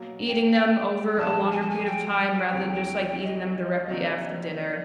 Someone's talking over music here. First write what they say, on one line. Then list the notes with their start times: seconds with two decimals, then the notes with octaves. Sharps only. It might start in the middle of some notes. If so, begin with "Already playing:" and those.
eating them over a longer period of time rather than just, like, eating them directly after dinner.
Already playing: B2 F#3 A#3
0.27 G5
1.17 A#1 A#2 G3 B3 A5
1.51 G#5
1.60 A5
1.70 G#5
1.85 G5
2.52 D2 C3 E3 G#3 B3
3.20 D#5
3.88 C3 D#3 F#3 A#3 D4
4.56 D5